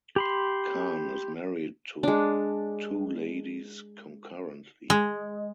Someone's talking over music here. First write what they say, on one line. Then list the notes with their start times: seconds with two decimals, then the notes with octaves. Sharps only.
Khan is married to two ladies concurrently.
0.16 G4 B5 C6
2.03 G#3 D4
4.90 G#3